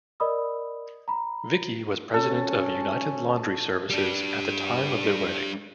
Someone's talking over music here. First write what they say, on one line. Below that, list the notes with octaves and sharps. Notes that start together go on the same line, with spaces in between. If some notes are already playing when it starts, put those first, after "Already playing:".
Vicky was president of United Laundry Services at the time of their wedding.
A#4 D5 D#5 B5 D#6 E6
A#5 B5
G#1 C#4 A4
G3 D4